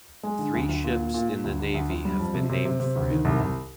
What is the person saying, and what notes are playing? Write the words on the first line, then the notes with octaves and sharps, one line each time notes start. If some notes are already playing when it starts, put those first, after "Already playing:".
Three ships in the Navy have been named for him.
G#3
D3
D2
D2
A#2
A#2
A#2
A#2
D2
D3
D2
D2
G3
F2
C3
C3
C3
C3
D2
D#3
C2
C2